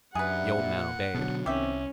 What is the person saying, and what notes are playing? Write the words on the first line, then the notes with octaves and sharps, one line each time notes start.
The old man obeyed.
F#2 D4 G4 G#4 B4 E5 F#5
A#2
B2 D3 F#3
C2 D#3 C4 C#4 G4 E5